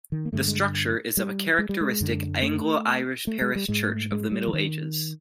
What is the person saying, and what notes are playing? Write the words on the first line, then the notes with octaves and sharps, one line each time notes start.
The structure is of a characteristic Anglo-Irish parish church of the Middle Ages.
D#3
A#3
G2 D3 A3
G#3
G3
G#3
G3
G#3
F#2 D3
A3
A3
G#3
G3
G#2 G#3
A3
G#3
G3
E3
D#3